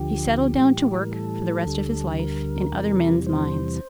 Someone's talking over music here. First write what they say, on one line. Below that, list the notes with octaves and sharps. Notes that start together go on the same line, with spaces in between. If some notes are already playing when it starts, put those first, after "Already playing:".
He settled down to work for the rest of his life in other men's mines.
Already playing: D2 D3 F3 G4
A2 E3 G3
A#4
A4
D2 D3 G3
A#4
E2 C3 E3 G3
C5